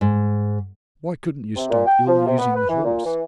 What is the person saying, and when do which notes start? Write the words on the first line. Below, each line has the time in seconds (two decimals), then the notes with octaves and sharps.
Why couldn't you stop ill-using the horse?
0.01 G#2
1.56 C3
1.70 A#2
1.86 G5
2.07 F3
2.26 C3
2.39 B3
2.55 B4
2.69 E3
2.85 A#2
3.05 E3